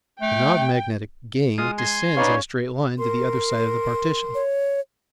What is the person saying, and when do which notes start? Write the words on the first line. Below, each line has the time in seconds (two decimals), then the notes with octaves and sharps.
The non-magnetic gangue descends in a straight line to the other side of the partition.
0.22 A3 G5
1.58 G#3 F4 D#6
1.78 G#5 C6
2.17 C#4 D#4 B4 C#5 D5 F5
2.98 A#4 C6
4.35 C#5